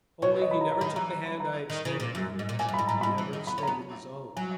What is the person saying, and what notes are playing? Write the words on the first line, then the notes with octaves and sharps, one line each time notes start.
Only, he never took the hand I extended to him. He never extended his own.
B2 C#5
B4
D#5
B5
A#5
A#5
D#3 B5
E3 A#5
A#5
B5
A#5
D#3
C#3
A#2
F#2
G#2
A#2
A#2 G#5
F#2
G#2 B5
G#2 A#5
G#2 B5
E3
D#3
B3 B5
C#4
B3 A#5
F#3 G#5